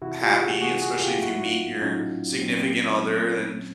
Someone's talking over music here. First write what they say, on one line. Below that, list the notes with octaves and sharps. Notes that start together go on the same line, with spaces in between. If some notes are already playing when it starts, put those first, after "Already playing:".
happy, especially if you meet your significant other, then
C3 E3 E4 F#4
F4 G4
F#4 G#4
C3 E3 F#4 G#4
F#4 G#4
G#4
F4 G4
A2 F#3 E4 F#4
F#4
D#4 F4
A2 F#3 C#4 D#4
A#2 F#3 C4
C#4
A#3 C4
A#2 F#3